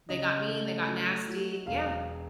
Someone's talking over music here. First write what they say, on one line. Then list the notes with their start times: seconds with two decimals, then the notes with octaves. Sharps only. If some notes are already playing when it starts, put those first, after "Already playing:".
They got mean, they got nasty yeah.
0.09 C#3 D#5
0.49 A3
0.87 F#3
1.27 F#3
1.66 E1 F5